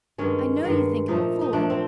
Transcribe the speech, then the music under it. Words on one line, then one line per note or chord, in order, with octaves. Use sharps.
"I know you think him a fool."
G2 D#3 G#3 C#4
G2 D#3 G#3
A#2 F3 A3 D#4
D#4
A#2 F3 A3 D4
C4